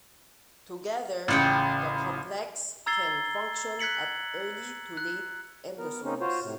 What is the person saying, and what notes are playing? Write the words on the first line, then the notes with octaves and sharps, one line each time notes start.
Together, the complex can function at early to late endosomes.
A1 C#3 F4 F#5 G5
A#5 E6 G#6 A6 C7 G7
F#6 G#6 B6 C#7 F#7
F#6
B3 A#4
A#3 C4 C#4 D#4
F4 F#4 C5 C#5
A2 C3